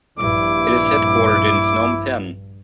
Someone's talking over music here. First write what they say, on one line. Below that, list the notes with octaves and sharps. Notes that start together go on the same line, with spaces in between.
It is headquartered in Phnom Penh.
A#1 G2 E4 D6